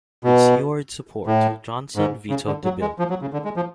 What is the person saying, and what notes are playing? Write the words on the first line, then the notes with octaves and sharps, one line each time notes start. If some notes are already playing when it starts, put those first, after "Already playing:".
With Seward's support, Johnson vetoed the bill.
B2
A2
G#2
C#3
D3
F#3
G#3
F3
F#3
C#3
D3
G#3
F3